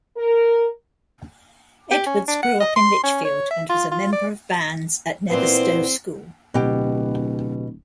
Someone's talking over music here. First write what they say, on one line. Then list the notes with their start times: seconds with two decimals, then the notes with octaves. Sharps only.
Edwards grew up in Lichfield, and was a member of bands at Netherstowe School.
0.16 A#4
1.91 G4
2.06 C#4
2.28 D4
2.43 F#5
2.60 D#5
2.76 C6
3.03 C#4
3.25 C#5
3.50 E5
3.69 F4
3.91 F4
4.12 D5
5.29 A#2 E3 B3 C4 C5
6.54 D1 B2 G4 G5